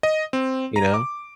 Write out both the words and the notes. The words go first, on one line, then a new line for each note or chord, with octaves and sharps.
you know,
D#5
C4
A#5
D6